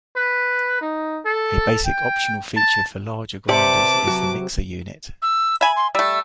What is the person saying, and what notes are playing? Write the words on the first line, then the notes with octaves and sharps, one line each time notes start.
A basic optional feature for larger grinders is the mixer unit.
B4
D#4
A4
G5
A5
C3 G4 B4 D5 A5 D6
F#3 F#4
E6
E5 G#5 B5
C6
G3 A3 E6